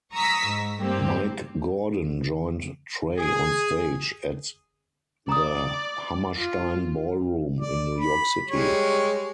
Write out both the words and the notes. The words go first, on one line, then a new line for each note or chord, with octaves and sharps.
Mike Gordon joined Trey onstage at the Hammerstein Ballroom in New York City.
A#5 C#6 D#6 E6 B6
G#2
G2 A#3 C4 G4
G#4
D5 A#5 D#6
F4
D5
B5
G3 G#3 C#5